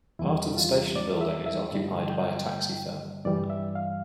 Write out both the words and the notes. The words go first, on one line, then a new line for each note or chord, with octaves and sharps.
Part of the station building is occupied by a taxi firm.
E2 E3 G3 E4
F4
D5
E5
E5
G2 D3 G3
G5
G5
G2 E3 G3 D5
E5
F5